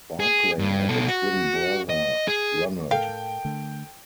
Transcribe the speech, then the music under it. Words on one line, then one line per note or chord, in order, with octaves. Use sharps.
Barkley had a twin brother, Ronald.
G#4
G2
B2 A4
F#4
D#5
G#4
A2 A4 A#4 F5 G5
D3 A3